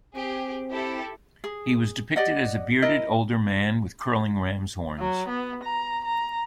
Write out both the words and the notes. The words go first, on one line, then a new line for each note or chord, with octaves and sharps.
He was depicted as a bearded older man with curling ram's horns.
C4 G4 G#4
E4 G4 A4
G#4
G4 D5 D#5 F#5
E4 A#4 D#5
F#3
B3
A#5
A#5